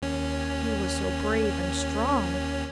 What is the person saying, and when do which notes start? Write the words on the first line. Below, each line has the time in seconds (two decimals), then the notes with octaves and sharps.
He was so brave and strong!
0.02 D#2 C#4